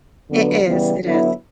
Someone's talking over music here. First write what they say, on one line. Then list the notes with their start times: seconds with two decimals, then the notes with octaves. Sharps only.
It is, it is.
0.30 F2 D3 F#3 B3
0.65 C#3 E3 G3 B3
1.02 D3 F#3 B3 E4